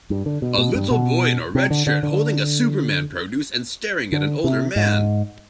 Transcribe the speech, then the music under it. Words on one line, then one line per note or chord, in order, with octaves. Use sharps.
A little boy in a red shirt holding a superman produce and staring at an older man.
G2
D3
B2
B2
G2
B2
C3
D3
D3
D3
D3
C3
G#2